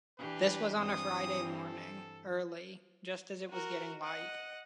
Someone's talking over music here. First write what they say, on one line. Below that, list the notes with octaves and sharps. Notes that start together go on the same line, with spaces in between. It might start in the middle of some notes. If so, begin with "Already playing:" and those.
This was on a Friday morning, early — just as it was getting light.
E3 D4 G4 B4
G2 E3 C4 D#6
A4
F#4 A#4
D#5 F#5